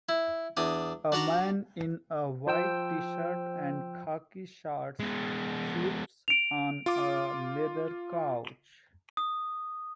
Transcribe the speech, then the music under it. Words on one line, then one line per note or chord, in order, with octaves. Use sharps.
A man in a white tshirt and khaki shorts sleeps on a leather couch.
E4
E2 D4 D#6
D4 F#4 F#5 A#5
F3 C5 G5 E6
G#3 B3
D7 F7
F4 D6
D#6